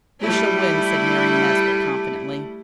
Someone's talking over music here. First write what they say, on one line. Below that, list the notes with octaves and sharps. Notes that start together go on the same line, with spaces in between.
"We shall win," said Miriam Nesbit confidently.
G3 A3 E4